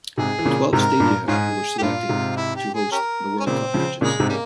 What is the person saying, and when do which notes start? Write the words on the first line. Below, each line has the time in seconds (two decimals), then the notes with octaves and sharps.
Twelve stadia were selected to host the World Cup matches.
0.18 G#2 C3 G#4
0.39 E3
0.45 A#2 C#3
0.73 G#2 C3 A#4
1.00 G2 A#2
1.28 G#2 C#4 F4 G#4
1.78 G4
1.82 G2 A#2 F4
2.09 G#2 C3
2.37 E4
2.56 G4
2.74 G#4
2.92 C#4 G4 A#4
3.40 C#4
3.46 A#2 C#3 C4
3.74 C#3 F3
4.01 A#2 C#3 G#3
4.20 G#2 C3
4.29 C#3 G3 A#3